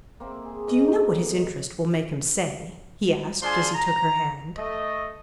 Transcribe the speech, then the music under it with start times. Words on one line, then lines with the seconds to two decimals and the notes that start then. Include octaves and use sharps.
"Do you know what his interest will make him say?" he asked as he took her hand.
0.20 A#3 C4 E5
0.45 G#4
0.67 G#2
0.87 G#3 A3 D#4 D5
1.12 B3
3.42 D4 F4 G#4 C5 G#5 C6
3.73 A#5
4.57 A3 D#5